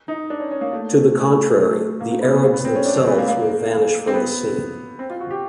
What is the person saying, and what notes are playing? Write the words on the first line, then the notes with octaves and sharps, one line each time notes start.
To the contrary, the Arabs themselves will vanish from the scene.
D#4
D4
C#4
C#4
A#3
A3
A3
A3
A#3
A#3
B3
B3
A#3
B3
C4
C#4
D4
C#4
B3
A#3
A#3
C4
B3
C4
F4
F#4
G4